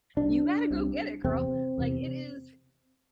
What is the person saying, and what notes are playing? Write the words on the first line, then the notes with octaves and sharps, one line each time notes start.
you gotta go get it, girl, like, it is
C2 C3 D4
C2 C3
E2 C3 C4
E2 C3